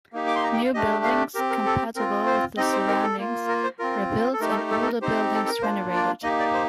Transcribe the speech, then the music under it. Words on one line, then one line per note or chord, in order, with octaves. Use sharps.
New buildings, "compatible with the surroundings", were built and older buildings renovated.
A#3 D#4 G4
D6
C6
A#5
G5
F5
A3 D4 G4 D#5
F5
C4 G4 A#4
A#4
A4
C4 F4 A#4
C5
C4 D#4 G4 D#5
C5
A#4
A4
A#3 F4
A#4
C5
C4 F4 A#4
A4
A3 D#4 G4 A#4
A4
A#4
A4
A4
A#4
C4 D#4 G4 C5
A4
A#4
A#3 D4 F4 C5
D5
A#3 D#4 G4 D#5
D5
C5